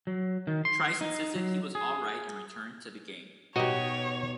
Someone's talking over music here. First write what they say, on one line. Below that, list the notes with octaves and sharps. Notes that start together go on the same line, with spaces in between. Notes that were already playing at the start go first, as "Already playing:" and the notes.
Trice insisted he was all right and returned to the game.
F#3
D#3
C6
D#4
F#3
G#4
B2 D#4 F#4 G4 C#5 D#5